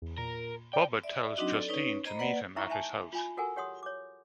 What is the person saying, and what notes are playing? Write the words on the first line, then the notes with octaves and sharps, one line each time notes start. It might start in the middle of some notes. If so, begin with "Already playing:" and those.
Bubba tells Justine to meet him at his house.
E2
A#2 A#4
D5 G5
D5 E5
F#3 C4 D4 D#4 F#4 D#5
A4 D5
C#4 D#4 B4 C#5
C5 D#5 A#5 B5
A#3 B4 D5 F#5
D#4 E4 E5 A#5 C#6
E5 G#5 A5
F4 G#5 B5
F#4 A4 A#4 F#5 G#5
G4 C#5 F#5 C6 D#6
C#5 D6